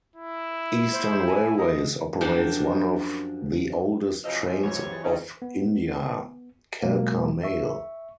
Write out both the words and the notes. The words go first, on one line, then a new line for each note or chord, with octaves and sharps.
Eastern Railways operates one of the oldest trains of India, Kalka Mail.
E4
C5
G#5
D#5
F#2 F3 A#3 D4 G4 F#5
C#3 F3 F#3 D#4 C5 D#5 E6
F3 C#4
G1 D2 F3 F#3 B4 C#5
C3
E3 G#4 A6
C#3 C4 C#4 D#4 D5 D#5
B3
B2 F#3 G#3 A#3
E5 C#6